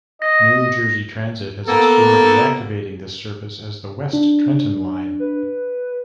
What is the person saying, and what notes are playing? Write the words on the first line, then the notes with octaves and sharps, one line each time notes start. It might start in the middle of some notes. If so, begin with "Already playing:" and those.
New Jersey Transit has explored reactivating this service as the West Trenton Line.
D#5 A#6
A#3 B3 A4
D4
B4